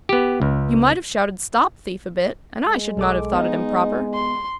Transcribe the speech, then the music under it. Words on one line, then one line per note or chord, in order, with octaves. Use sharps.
You might have shouted 'stop thief' a bit, and I should not have thought it improper.
B3 G4
C#2
G#3
B1 A4 D6
B3 D#4
C6